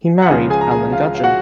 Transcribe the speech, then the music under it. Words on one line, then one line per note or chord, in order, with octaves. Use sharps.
He married Ellen Gudgeon.
F#5
C#2 C#3 F3 G#4 G#5
G#4 G#5
A#5
G#4 G#5
F4 F5
F5
F#4 F#5